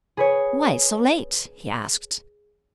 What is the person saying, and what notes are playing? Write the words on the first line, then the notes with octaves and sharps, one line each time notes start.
"Why so late?" he asked.
G#4 B4 C#5